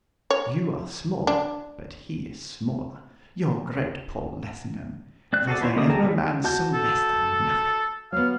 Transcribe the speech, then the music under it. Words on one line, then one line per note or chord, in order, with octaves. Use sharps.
You are small, but he is smaller,--your great Paul Lessingham!--Was there ever a man so less than nothing?'
C#5
D4
C4 D5 F#6
F#4 G#4 A4 D5
B3 E4 C5 C#5
D3 A#3 C#4 D5 D#6
G#4 A4 G5 A5 A#5
G#3 A3 B3 C4 G#4
F#4 A5 G6
A4
F#3 B3 F5